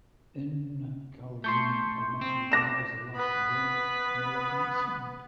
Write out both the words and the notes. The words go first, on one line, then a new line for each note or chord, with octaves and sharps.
Ibn Khaldun mentioned him as the last great Moroccan saint.
A3 C6 C#6 G6
C4
D6 A#6 E7
B3 B4